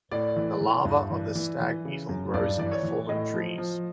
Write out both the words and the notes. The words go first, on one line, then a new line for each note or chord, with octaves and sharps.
The larva of the stag beetle grows in the fallen trees.
A2 D5
E3
E3
G2
E3
E3
E3
C#3
F#2
G2 D5
E3 D5
C#5
E3
A2 D#5
F3
F3